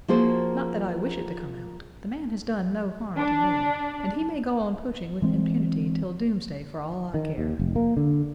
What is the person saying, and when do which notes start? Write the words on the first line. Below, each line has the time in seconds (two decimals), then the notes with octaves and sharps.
Not that I wish it to come out; the man has done no harm to me, and he may go on poaching with impunity till doomsday for all I care.
0.08 F3 A#3 F4 F#4 G#4 C5
3.17 D4
5.22 E3 G#3 C4
7.14 D#3
7.38 D#2
7.59 F1
7.76 A#3
7.97 D3